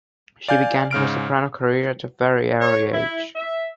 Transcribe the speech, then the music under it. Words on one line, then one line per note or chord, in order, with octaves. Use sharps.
She began her soprano career at a very early age.
D5 F5 G#5 G6
G#2 C#3 F6 D7
C#5
E4
E5